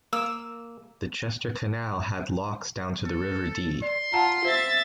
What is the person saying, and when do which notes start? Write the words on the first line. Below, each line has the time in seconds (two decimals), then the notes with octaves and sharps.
The Chester Canal had locks down to the River Dee.
0.13 A#3 E6
3.05 A4
3.82 D5 C6
4.13 F4 F#5 A5 A#5
4.45 C5 E5 A6